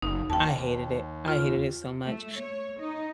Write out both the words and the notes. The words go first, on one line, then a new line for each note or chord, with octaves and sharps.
I hated it, I hated it so much.
F#1 D#4
D#2 G5 A5
F4
A3
C#5
D#4